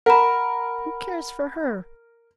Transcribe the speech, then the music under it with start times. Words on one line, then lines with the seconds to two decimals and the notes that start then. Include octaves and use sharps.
Who cares for her?
0.06 A#4 F#5 B5